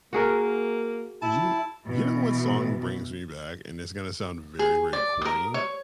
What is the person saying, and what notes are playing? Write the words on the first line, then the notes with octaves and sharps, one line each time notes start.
You you know what song brings me back? And it's gonna sound very, very corny,
A#3 F#4 G#4 A#4
E4 A5
B2 E3
G#4
D5
A#4 D#6
C#5